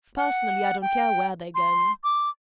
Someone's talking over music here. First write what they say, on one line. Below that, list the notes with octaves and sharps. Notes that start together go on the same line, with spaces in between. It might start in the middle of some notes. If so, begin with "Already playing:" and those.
Personally, I don't care where they go.
F#5
G5
C6
D6